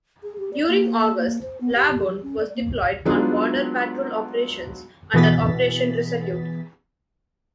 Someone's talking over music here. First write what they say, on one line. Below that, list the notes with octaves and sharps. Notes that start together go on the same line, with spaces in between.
During August, "Labuan" was deployed on border patrol operations under Operation Resolute.
G#4
G4
D5
A#3
A#3
C5
B3
G4
F#3
C#4
D5
A#3
F#3 G#3 B3 D4 D#4 F4
B2 E3 B3 G#4 A6 B6